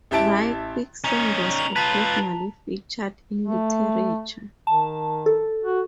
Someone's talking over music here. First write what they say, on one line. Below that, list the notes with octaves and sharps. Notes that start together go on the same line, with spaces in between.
Dry quicksand was occasionally featured in literature.
A1 E4 G4 E5 A5 D7
C#4 D#4 A#5
F7 F#7
F4 B4 A5 B6
A3
D#3 A5
A4
F#4